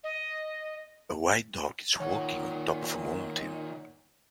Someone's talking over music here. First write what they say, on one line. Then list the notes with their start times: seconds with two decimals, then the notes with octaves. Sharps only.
A white dog is walking on top of a mountain.
0.04 D#5
2.00 A#2 D#3 C#5 F#5